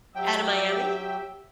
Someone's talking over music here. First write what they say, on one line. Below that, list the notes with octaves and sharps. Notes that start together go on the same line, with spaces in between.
Outta Miami?
F#3 G4 E5 G5